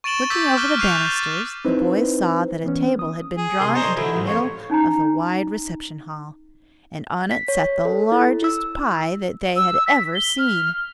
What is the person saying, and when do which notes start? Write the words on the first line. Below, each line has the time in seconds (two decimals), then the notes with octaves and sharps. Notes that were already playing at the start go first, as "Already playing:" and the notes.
Looking over the banisters, the boys saw that a table had been drawn into the middle of the wide reception-hall, and on it sat the largest pie that they had ever seen.
0.04 C#6 A6 D7 E7 F#7 G7
0.30 D6 E6 G6 A6 B6
0.57 D6 F6 F#6 G7
0.79 C#6 F#6 G6 C7 F7
1.05 A6
1.65 C4 D#4 E4 B4 C5
2.64 E3 B3 C#4
2.99 D#6
3.37 G#4
3.60 C2 C6
3.75 D4 G#4 C5 C#5 D#5 A#5
3.97 D3 F#3 G#3 E4
4.13 A1 G#2
4.27 F2 F3 C#5
4.70 C#4 D#4 G#5 A#5
7.31 B6
7.48 C#5
7.85 A4
8.12 E4
8.44 E6
9.57 E6
9.88 B6
10.15 G7
10.39 F6